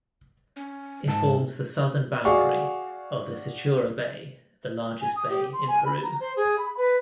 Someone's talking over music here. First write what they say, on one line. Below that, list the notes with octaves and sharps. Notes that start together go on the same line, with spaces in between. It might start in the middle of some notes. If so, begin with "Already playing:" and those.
It forms the southern boundary of the Sechura Bay, the largest bay in Peru.
C#4
G#2 A5
F#4 G#4 D5 F5 F#5 C#6
G#5
D#6
G4
C6
G#5
B5
A#5
C5
G#4
B5
B4